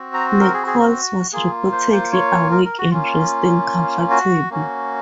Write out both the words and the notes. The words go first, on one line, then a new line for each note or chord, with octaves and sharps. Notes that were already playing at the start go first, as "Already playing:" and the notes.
Nichols was reportedly awake and resting comfortably.
Already playing: C4 F#4
A#5
A#4
G#4
G#4
F#4
A#3 F4 G#4
C5
C5
C#5
A#4
A#4
F#4
A#3 C#4 F4
F#4
A#3 C#4 F#4